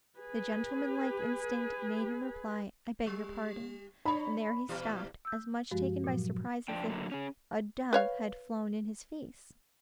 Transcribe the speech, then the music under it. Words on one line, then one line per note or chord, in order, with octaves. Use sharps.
The gentlemanlike instinct made him reply, 'I beg your pardon'--and there he stopped, as much taken by surprise as if a dove had flown in his face.
G#4 B4
G3
D4 C#5 B5
A#2 E3 G3
E6 G6
G2 F3 G#3 F#4
A#2 F3 F#3
F2 D4 G5
D3 F#3 A3 A#3
C#4 G#4
B4 C#5 F5